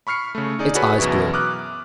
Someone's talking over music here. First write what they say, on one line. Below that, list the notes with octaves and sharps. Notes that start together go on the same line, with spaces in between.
Its eyes blue.
B5 C#6 F6 C7 C#7
C#3 A3
D#4 G#4 D5
F#4 G#4 A4 B4 C#5 B5
F#2 B2 E3 E4 C#6
D6 D#6 F6 F#6